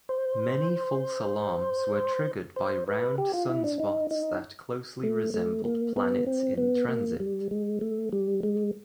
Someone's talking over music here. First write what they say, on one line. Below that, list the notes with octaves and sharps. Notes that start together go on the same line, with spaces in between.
Many false alarms were triggered by round sunspots that closely resembled planets in transit.
C5
C5
B4
G4
F4
E4
D4
D#4
D#4
A3
A3
A#3
B3
C4
B3
A#3
G3
G#3
A3
G3
G#3